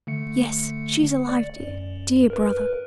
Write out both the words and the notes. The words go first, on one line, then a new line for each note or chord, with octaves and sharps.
'Yes, she is alive, dear, dear brother!
D3 A3 C#7
D5
F#2
A#4 B4